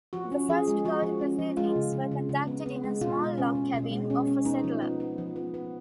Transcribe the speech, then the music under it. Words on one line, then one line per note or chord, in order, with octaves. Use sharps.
The first court proceedings were conducted in a small log cabin of a settler.
F3 F#4
C#4
F3 G#4
G#3
F3 F#4
F3
C#4
F3
G#3 F4
C#3
C#3
C#3
C#3
B3
B3
G#3
B2 F4
G#3
C#4
B2
B2
G#3
C#4
C#4
B3 D#4
F3
B3
B3
F3
B3
B3